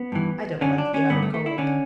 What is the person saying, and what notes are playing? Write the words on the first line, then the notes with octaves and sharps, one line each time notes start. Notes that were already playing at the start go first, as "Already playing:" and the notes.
I don't like the outer Cold.'
Already playing: B3
G2 E3
F#2 D3 C#4
D4
C#4
G2 D3 B3
A3
A3
E4
D3 C#4